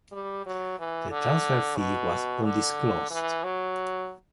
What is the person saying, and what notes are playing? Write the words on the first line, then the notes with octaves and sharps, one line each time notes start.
The transfer fee was undisclosed.
G3
F#3
E3
D3
B2
D3
E3
F#3